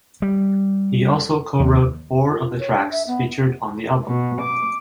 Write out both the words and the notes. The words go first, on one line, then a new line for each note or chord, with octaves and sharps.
He also co-wrote four of the tracks featured on the album.
G3
D#2
F4
C#5
D4
E5
B3
B2
D6